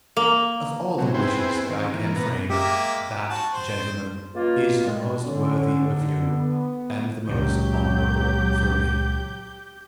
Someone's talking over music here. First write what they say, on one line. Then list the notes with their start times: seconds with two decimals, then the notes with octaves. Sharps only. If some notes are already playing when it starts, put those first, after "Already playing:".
Of all the wishes that I can frame, that, gentlemen, is the most worthy of you and the most honorable for me.
0.17 A#3
0.98 C3 F#3
1.14 B3 C4 E4 G#4 C5 G5
1.70 D#3 C4 C#4
1.94 E3 A#3
2.16 B2 B3 A#5
2.50 G#3 A#3 G4 E5
3.29 F#4 A5
3.54 C5
4.33 C#2 A#3 F4
4.84 G3 G#3
5.26 D3 C#4
5.82 D#2
6.22 B3
7.29 C#2 A#2 C#3 F#3 G4 G6